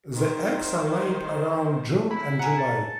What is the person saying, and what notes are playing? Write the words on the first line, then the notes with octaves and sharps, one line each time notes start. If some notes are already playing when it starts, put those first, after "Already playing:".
The eggs are laid around June and July.
D#3 C5
E4 B5
F#5 G#5 A#5
A4